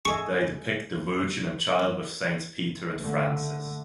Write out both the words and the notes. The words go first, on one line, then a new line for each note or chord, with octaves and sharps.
They depict the "Virgin and Child with Saints Peter and Francis".
G#4 A4 D#5 C#6
D3 A3